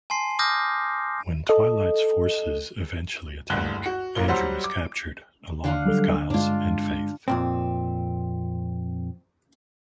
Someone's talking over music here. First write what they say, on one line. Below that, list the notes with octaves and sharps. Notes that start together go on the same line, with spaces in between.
When Twilight's forces eventually attack, Andrew is captured along with Giles and Faith.
G#5 A5 C6 C7
D6 D#6 F6 G6 A#6
A4 D#5
F#1 D2 G2 F#6 G7
F#4
A1 A#3 G7
F#3 G3 C5 F#5 E6
D6
D3 F5 F#5
F#3 G3 A4
G2 G#3 D4 F4
F2 A#2 C4